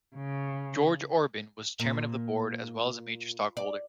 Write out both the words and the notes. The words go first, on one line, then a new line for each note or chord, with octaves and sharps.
George Orban was chairman of the board as well as a major stockholder.
C#3
A#2
D5